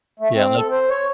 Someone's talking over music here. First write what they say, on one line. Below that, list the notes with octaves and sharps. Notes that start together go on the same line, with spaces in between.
Yeah, like
A3
C4
A4
C5
C#5